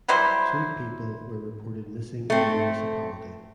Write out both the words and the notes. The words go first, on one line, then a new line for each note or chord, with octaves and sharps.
Two people were reported missing in the municipality.
F#3 G3 E4 C5
A3 C4